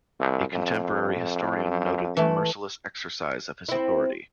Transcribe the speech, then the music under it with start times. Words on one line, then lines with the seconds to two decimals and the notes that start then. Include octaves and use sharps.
A contemporary historian noted the "merciless exercise of his authority".
0.20 C2
0.52 F2
2.17 E3 A3
3.69 C4 E4